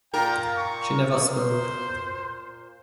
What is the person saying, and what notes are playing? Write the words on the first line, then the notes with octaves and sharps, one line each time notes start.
She never spoke.
A#2 A#4 G5
C#6
C5